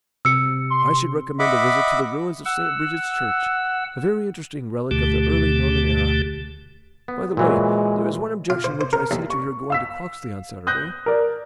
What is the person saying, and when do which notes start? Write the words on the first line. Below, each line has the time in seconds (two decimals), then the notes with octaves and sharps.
I should recommend a visit to the ruins of St. Bridget's Church, a very interesting relic of the early Norman era. By the way, there is one objection which I see to your going to Croxley on Saturday.
0.25 C3 E6 C#7
0.70 C6
1.39 D#5 E5 F#5 B5 D6
2.45 F#5 E6
4.91 D2 B2 D3 A3 G4
7.08 B3
7.37 A#2 E3 F#3 G#3
8.50 F4
8.64 C5
8.81 C5
8.93 A#4
9.11 D#2
9.30 C#6
9.70 F5 E6 B6
10.67 D#6 F#6 G6 A#6
11.06 A#4 D5